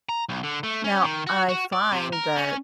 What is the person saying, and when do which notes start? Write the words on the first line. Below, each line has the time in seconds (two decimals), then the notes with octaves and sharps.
now, I find that
0.09 A#5
0.29 B1
0.44 D3
0.63 A3
0.84 C#4
1.03 D#3
1.27 F#4
1.49 F#4
1.73 D5
1.92 C3
2.13 A#4
2.37 C#4